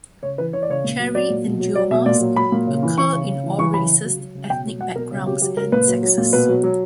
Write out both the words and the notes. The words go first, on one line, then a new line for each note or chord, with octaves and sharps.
Cherry angiomas occur in all races, ethnic backgrounds, and sexes.
C#3 C#5
E3 B4
E3 C#5
D5
C#3 C#5
A#2
F#3
F#3 D5
A#2
B2
F#3
F#3 D5
B2 E5
A#2 D5
F#3
F#3 B5
A#2
C#3
E3
E3 C#6
C#3
C#3
E3
E3 C#6
C#3 B5
C#3
F#3
F#3
C#3
B2 G5
F#3
F#3 F#5
B2 A#4
C#3
F#3 G4
F#3 G4
C#3 A#4
A#2 B4
F#3
F#3
A#2
B2 B4
F#3
F#3